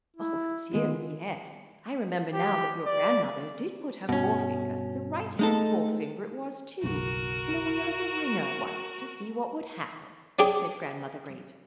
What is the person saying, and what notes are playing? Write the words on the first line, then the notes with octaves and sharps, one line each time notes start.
"Oh dear, yes; I remember now that your grandmother did put her forefinger, the right-hand forefinger it was, too, in the wheel of the wringer once to see what would happen," said Grandmother Great.
E4
D#3 G#3 B3 F4
G4
D5
G2 B2 C#4
G#3 A3 D#4 A4
F#1 B1 F#4 A#4
C#4 D4 G4 G#4